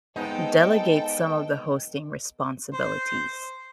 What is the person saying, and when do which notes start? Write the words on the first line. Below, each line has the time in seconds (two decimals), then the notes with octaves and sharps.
delegate some of the hosting responsibilities.
0.16 G#3 B3 D#4 A4 C5 G5
2.74 C5